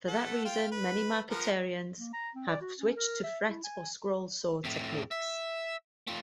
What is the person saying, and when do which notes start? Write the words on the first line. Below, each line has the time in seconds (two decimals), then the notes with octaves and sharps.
For that reason, many marquetarians have switched to fret or scroll saw techniques.
0.08 A3 A4 F#5
0.45 F4 F5 G5
0.72 B4
1.31 F3 B3 A#4
1.98 A#3
2.13 A#5
2.35 C4
2.48 D5
2.61 F#4
2.78 C#4
2.97 A#4
3.24 E5
3.48 E4
3.64 G#5
4.65 F2 A2
5.11 E5
6.08 A3 F4